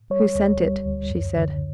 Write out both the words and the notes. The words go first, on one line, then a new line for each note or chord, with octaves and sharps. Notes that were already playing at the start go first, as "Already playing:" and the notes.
"Who sent it?" she said.
G3 C#5
D2
G3
D2
F#2
D3